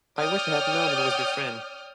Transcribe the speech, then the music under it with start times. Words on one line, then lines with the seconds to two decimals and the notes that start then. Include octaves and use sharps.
I wish I had known it was your friend.
0.19 C#5 D5 G5 D#6 F6 G6